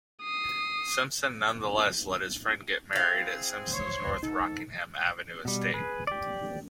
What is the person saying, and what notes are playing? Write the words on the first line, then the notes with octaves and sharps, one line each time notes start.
Simpson nonetheless let his friend get married at Simpson's North Rockingham Avenue estate.
D#6 C7
C4 E4 G#4 F5
C5 C#5
G#2 D#4 A4
B2 G3
G#4 B4
G4 D5